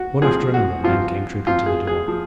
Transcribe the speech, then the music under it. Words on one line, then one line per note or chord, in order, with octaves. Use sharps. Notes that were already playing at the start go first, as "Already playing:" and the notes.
One after another, men came trooping to the door.
Already playing: F#4
F3 C4 G#4
F#4
F3 C4 F4
F3 C4 F4
G#4
G#4
F3